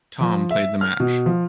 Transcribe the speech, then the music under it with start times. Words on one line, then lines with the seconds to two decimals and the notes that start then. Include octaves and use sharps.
Thom played the match.
0.21 F3
0.50 E5
0.81 F6
1.00 B2
1.26 F3